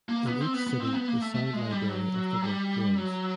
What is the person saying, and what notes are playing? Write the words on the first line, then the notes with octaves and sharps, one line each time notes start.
In each city the sound library of the work grows.
A#3
B3
C4
B3
B3
C4
B3
A#3
A3
A3
G#3
G3
F#3
G3
F#3